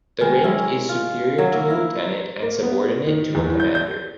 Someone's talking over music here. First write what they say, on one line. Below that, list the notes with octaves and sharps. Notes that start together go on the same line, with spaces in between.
The rank is superior to a lieutenant and subordinate to a commander.
D#3 G#3
G#3 C#4 E4
F4
F#3
A#3 E4
E4 A#4
A#3
B3
D#3
E2
G6
G6